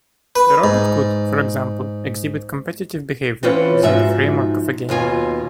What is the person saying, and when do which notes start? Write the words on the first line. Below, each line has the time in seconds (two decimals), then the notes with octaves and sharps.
The robot could, for example, exhibit competitive behavior within the framework of a game.
0.36 B4
0.64 G#2
3.43 E3 C4 C#4 F4 B4 C#5
3.83 G#2 F3 D#4 F#4 E5
4.89 D#2 B2 F4 G#5